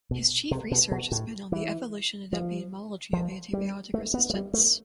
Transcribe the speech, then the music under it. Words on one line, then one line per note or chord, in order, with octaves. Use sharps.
His chief research has been on the evolution and epidemiology of antibiotic resistance.
B2
C3
B2
B2
A2
E3
F3
F3
G3
A3
B3
A3
G3
A3